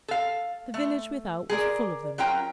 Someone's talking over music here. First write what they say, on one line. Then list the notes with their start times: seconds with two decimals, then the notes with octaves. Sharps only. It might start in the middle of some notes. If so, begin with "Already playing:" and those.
The village without was full of them.
0.08 A4 F5
0.74 A3
1.50 G#4 A#4 D5
2.18 F#3 C#4 F4 A#4 G5 A#5